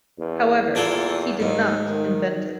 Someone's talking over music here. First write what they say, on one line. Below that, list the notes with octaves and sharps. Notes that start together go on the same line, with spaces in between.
However, he did not invent it.
E2
E2 A#2 G#4 A4
D#2 G#2
D#3